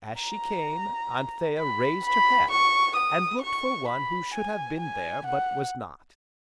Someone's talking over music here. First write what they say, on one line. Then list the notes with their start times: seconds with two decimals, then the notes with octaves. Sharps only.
As she came, Anthea raised her head, and looked for one who should have been there, but was not.
0.21 A#5
1.59 B5
2.05 B5
2.51 C#6
2.96 D#6
3.42 C#6
3.88 B5
4.34 G#5
4.80 G#5
5.26 F#5